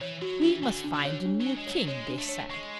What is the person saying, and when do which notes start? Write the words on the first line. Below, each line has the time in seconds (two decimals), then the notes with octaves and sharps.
"We must find a new king," they said.
0.01 E3 C#5
0.22 F#3 F#4
0.42 E3 D4
0.63 D3 G#5
0.84 D4
0.94 D3
1.05 C#5
1.25 D4
1.41 F#3
1.47 G#5
1.57 G#3
1.67 C#5
1.72 F#3
1.88 G#3 C#5
2.08 D4
2.19 A3
2.29 C#5
2.50 G#3 C#6